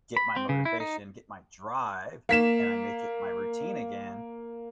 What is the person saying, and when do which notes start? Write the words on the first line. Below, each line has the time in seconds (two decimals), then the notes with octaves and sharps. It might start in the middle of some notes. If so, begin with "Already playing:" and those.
get my motivation, get my drive, and I make it my routine again,
0.17 B5
0.36 C4
0.49 C#3
0.65 E4
0.80 D#4
2.29 A#3 B6 E7